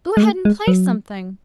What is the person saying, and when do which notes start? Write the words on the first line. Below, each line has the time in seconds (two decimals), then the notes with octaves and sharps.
"Go ahead and play something."
0.17 G#3
0.23 A3
0.45 G#3
0.68 F#3